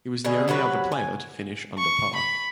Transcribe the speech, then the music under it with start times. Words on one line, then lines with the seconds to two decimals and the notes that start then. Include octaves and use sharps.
He was the only other player to finish under par.
0.25 B2 D3 G#4
0.48 C3 F#3 F#4 B4
0.92 G#5
1.79 C#6
2.16 B5